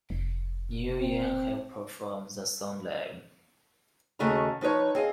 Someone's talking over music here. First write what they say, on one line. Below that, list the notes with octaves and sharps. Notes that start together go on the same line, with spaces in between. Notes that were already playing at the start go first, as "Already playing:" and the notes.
Neil Young has performed the song live.
F1
C4
D#2 C#3 A3 F#4 D#5 A#5
F3 D#4 B4 C#5
C4 G#4 D#5 F5